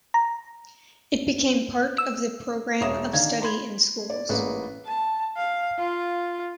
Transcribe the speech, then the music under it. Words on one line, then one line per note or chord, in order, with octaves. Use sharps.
It became part of the program of study in schools.
A#5
E6
E1 C#5 E5 D#6 E7
D#3 D4 F5 G#6
B5 C6 G#6
D5
A1 G#2 A#3 B4
A5
F5
F4